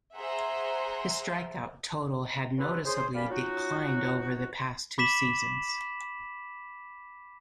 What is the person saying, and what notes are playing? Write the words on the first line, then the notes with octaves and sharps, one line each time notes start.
His strikeout total had noticeably declined over the past two seasons.
G#4 C5 E5 F#5 A#5 C6
B3 C#4 F4 G4 A4 B4
C#4 G#4 C5
C2 G3 C#4 D5 F5 B5
F#3 C#4 D#4 F4 F#4
B5 D6 B6 E7 F#7